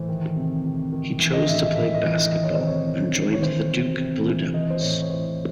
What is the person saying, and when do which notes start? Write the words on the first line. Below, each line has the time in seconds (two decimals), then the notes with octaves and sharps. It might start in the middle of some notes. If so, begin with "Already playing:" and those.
He chose to play basketball and joined the Duke Blue Devils.
Already playing: A2 E3 C5
0.09 D#3
0.36 C3
0.64 C3
0.92 D#3
1.19 E3
1.33 D#5
1.47 A2 E5
1.61 D#5
1.75 A2 E5
1.94 D#5
2.04 E3
2.12 D#5
2.31 D#3 D#5
2.44 C#5
2.55 C3 C5
2.67 C#5
2.86 C3
3.15 D#3
3.33 C#5
3.43 E3 C5
3.70 C3
3.98 C3
4.26 E3
4.53 E3 D#5
4.70 C5
4.81 A2 C#5
5.02 C#5
5.09 A2 C5